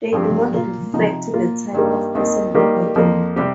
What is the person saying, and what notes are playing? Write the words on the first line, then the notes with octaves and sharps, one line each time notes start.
They do not reflect the type of person that I am.
G2 F3 C4 G4
A#2 A#3 F4
C3 F3 D#4
A#2 A#3 F4
G2 D#3 G3 A#3
D#2 D#3 C4
D#3 G3 A#3 G4
F2 F3 A#3
C3 G3 C4 G4